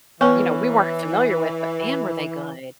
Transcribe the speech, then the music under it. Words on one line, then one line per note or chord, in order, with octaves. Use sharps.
you know, we weren't familiar with, but man, were they good.
E3 B3 C#4 B4